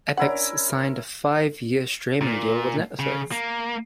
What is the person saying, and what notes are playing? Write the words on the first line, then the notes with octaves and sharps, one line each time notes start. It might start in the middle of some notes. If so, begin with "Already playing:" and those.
Epix signed a five-year streaming deal with Netflix.
C#4 D4 E4 A#4 F#5
A#2
C#3
A#3